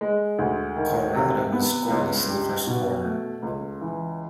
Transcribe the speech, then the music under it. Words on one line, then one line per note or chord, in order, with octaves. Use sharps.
Colorado was scoreless in the first quarter.
G#3
D2
D#3
C3
B3
C#2
G3
B2
A3
C#2
E3